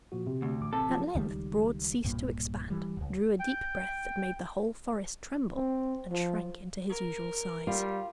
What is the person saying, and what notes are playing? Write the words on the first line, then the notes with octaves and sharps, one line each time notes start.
At length Broad ceased to expand, drew a deep breath that made the whole forest tremble, and shrank into his usual size.
A#2 F3 F#4
C3
D2
A1 D6
C3 A4
F3 F#3 F4
C#2 D#3 G3
B1 G2 A#2
E3 G3
D#1 C#2
G5
C4
F3
A#4
G3 F4